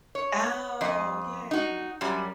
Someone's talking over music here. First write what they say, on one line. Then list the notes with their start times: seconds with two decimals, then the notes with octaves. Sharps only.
Oh, yeah.
0.15 C#5
0.81 F2 D#5
1.51 D#4 F#4
2.01 F#2 F#3 G3